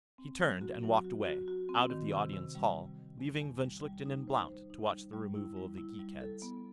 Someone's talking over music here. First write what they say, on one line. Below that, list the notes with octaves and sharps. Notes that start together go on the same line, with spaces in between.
He turned and walked away, out of the Audience Hall, leaving von Schlichten and Blount to watch the removal of the geek-heads.
C4
F#3
F#4
F#3
F#4
F#4
F#4
C4
D#3
C3
C3
G3
G3
D#3
E2
E2
G3
G3
D#4
C5
C5
D#4
G3
G3
E4
G3
E4
G3
A4
B3